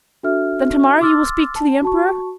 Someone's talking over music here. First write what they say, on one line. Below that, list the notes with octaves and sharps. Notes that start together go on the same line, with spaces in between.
"Then tomorrow you will speak to the Emperor?"
D4 F#4 A4 E5 F6
C6 D6 E6 F6 A6
A5
F#4 A5 C#6